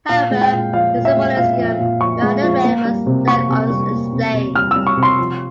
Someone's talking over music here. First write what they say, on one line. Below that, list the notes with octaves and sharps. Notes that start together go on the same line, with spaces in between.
However, the symbolism behind the red was left unexplained.
A#2 F5
G#3
G5
A#2
F3 F5
A#2
E5
G#3
A#2 F5
F3
A#2
F3 C#6
G#3
F3
A#3
G3
C3
A#3 C#6
C3
G3
A#3
C3
C3
G3 F6
E6
G3
C#6
C3
C6
F3